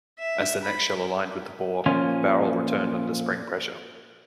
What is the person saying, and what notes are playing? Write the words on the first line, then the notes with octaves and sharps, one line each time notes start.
As the next shell aligned with the bore, the barrel returned under spring pressure.
E5
B5
A#2 F3 C#4 F4 G#5